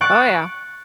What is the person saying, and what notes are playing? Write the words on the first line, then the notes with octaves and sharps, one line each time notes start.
Oh, yeah.
C#6 F#6 A6 D7